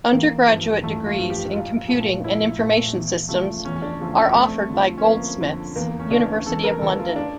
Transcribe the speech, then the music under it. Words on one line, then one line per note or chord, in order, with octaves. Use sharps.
Undergraduate degrees in Computing and Information Systems are offered by Goldsmiths, University of London.
A1 A#3
G2 F3
A1 A3
F4
G2 F3
G4
A#1 F4
A#2 F3 A3
A#1 E4
A#2 F3 A3
E2
C#3 F3 A3
E2 C#4
C#4
D4
C#3 F3 A3
C#4
F2 A3
D3 F3
C#4
F2 A#3
D3 F3
E2 A#3
C#4
C#3 E3 A3 D4
C#4
E2 A4
A#4
C#3 E3 A3 A4
F4
D4